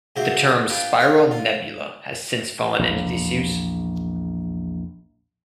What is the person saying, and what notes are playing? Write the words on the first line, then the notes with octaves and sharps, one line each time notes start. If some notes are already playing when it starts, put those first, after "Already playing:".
The term "spiral nebula" has since fallen into disuse.
G#2 C#3 F#3 C5 E5
D4 F4 G4 B4
C#5 F5
F4
A#1 E2